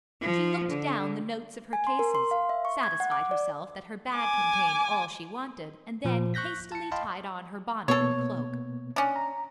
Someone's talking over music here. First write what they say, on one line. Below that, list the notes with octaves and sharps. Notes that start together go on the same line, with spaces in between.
She looked down the notes of her cases, satisfied herself that her bag contained all she wanted, and then hastily tied on her bonnet and cloak.
F3
D3
G#5
C6
A#4
C6
F5
E5
C#6
G#6
F#5
D6
D5
G#5 D6
A#2 F3
C#6 F#6 G6 A#6 B6
A5 C#7
D#5 F5 G5 A5 B5 C6
B2 A#3 B3 A4 C#5
C#4 D4
A#5